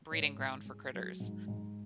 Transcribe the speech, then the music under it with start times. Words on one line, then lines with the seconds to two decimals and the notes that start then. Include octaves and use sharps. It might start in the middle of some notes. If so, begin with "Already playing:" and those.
breeding ground for critters.
0.11 G#2 C#5
0.38 G#2
0.66 G#3
0.93 F#3
1.20 G#2
1.48 G#2